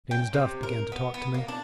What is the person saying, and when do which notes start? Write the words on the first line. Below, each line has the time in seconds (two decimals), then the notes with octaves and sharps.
James Duff began to talk to me.
0.11 G5
0.34 C3
0.63 A#4
0.92 B3
1.14 B3
1.34 A#3
1.48 D4